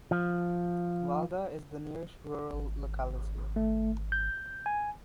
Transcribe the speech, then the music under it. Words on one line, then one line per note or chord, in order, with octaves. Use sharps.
Valga is the nearest rural locality.
F3
G#1
A3
G6
G#5